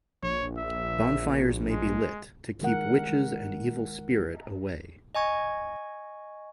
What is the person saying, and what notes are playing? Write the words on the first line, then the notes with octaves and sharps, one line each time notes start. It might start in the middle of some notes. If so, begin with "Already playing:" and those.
Bonfires may be lit to keep witches and evil spirit away.
A#1 C#5
E5
G#3
D#3 G#3 A#4 F#5
G#3
D#5 G#5 C#6 G#6